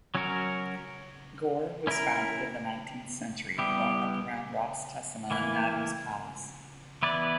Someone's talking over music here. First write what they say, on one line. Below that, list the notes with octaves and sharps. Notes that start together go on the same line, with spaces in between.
Gore was founded in the nineteenth century, growing up around "Ras" Tessema Nadew's palace.
F#3 C#4 F#4 A#4
C#4 E4 A#4
G3 B3 E4 G4
E3 A#3 E4
E3 B3 E4 B4 D5